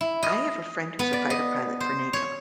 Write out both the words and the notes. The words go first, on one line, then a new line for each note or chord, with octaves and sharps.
I have a friend who's a fighter pilot for NATO,
E4
D#5
B3
D5
D#5
C5
C#5